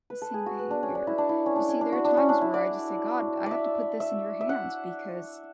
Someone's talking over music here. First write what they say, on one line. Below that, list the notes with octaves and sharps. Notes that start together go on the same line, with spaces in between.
The same behavior. You see, there are times where I, just, say, "God, I have to put this in your hands because
B4
A4
G#4
F#4
B4
D4
C#4
D4
E4
D4
E4
C#4
D4
C#4
D4
F#4
D4
C#4
D4
E4
D5
D5
E5
E5
E5
F#5